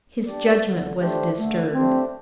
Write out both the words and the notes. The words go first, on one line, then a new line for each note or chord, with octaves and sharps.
His judgment was disturbed.
D4 G4 D5
D3
A3 D4 G4 C5
D3 A3
A3 C4 D4 G4 C5